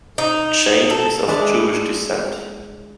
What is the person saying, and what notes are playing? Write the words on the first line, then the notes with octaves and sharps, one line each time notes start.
Jayne is of Jewish descent.
D#4
A4
G#3 D4 E4